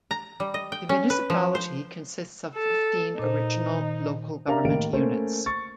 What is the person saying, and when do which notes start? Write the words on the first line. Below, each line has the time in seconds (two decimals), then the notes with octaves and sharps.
The municipality consists of fifteen original local government units.
0.11 A#5
0.40 G3
0.54 D#5
0.72 G5
0.89 C#4
1.10 B4
1.30 F3
1.55 C5
2.56 A4
3.19 A#2 D#4 C5
3.71 D#3
4.47 D4 G4 A#4 E5 F5 A#5
4.65 A2 D#3 A#3 F5 D7
4.93 A3 A#3 C#4 C5 C#5
5.46 C#6 A6